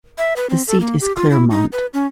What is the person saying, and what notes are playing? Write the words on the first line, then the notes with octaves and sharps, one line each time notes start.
The seat is Clermont.
E5
B4
C4
A4
A#3
G4
F4
E4
D#4
B4
C#4